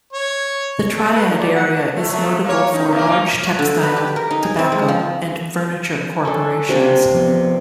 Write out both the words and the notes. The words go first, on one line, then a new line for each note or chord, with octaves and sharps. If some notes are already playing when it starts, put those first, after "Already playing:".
The Triad area is notable for large textile, tobacco, and furniture corporations.
C#5
A4
B4
D#3
D5
F#5
A3
F#3 A3
A#3 C#5
D#4
C3 A#3 A#4
A#3 D#4
F#4
D3
B4
G4
A#4
D#4
G#4
C4
G#3
F3
C#4 D4 A4
C3 A#3 D4
F3 B3